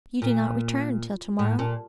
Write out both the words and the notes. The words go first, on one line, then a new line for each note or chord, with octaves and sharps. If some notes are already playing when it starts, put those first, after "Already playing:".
You do not return till to-morrow?
A#2
A2
A#2